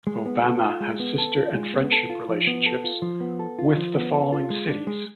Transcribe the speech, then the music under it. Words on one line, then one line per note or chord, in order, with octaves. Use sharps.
Obama has sister and friendship relationships with the following cities.
G#3
B3
A4
F4
G#3
B3
A4
F4
G#3
B3
A4
F4
F3
B3
A4
F4
F3
B3
A4
F4
F3
B3
A4
F4
G#3
D4
G#3